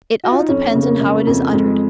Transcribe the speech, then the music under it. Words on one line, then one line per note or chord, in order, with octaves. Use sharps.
It all depends on how it is uttered.
F#4
F4
D#4
F2 C#4
C#3
A#3
C#3
F2
F2 G#3